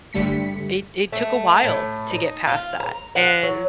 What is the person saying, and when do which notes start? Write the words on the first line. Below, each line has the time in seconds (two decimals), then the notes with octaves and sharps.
it it took a while to get past that. And
0.13 G1 D3 G3 A3 B6 C#7
1.12 A3
1.64 A2
2.11 D#4
2.47 F4
2.80 A#5
3.15 F#5
3.43 F#3